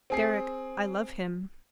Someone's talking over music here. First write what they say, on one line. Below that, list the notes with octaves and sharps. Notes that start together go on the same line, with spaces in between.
"Deryck--I love him."
C4 G#4 C7